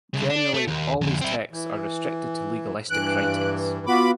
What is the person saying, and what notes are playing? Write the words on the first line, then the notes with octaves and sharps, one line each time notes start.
Generally, all these texts are restricted to legalistic writings.
C2 C#3
D4
A3
D#2
F2 D3
C4 E4
E3
G2 E3 F#6 D7
B3 F4 F#4 B5 D6